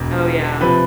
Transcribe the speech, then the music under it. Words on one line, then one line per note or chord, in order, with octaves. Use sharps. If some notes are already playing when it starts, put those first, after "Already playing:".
Oh, yeah.
Already playing: E1 E2
C3 F3 B4